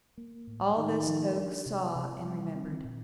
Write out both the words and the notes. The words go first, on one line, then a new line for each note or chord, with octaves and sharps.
All this Oak saw and remembered.
A#3
A2
A2 D#3
F3
D4
C3
C3
G3
C4
A#2